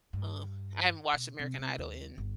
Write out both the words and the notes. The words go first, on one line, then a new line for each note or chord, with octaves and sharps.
Uh, I haven't watched American Idol in,
G2
B2
C3
C3
D#2
G1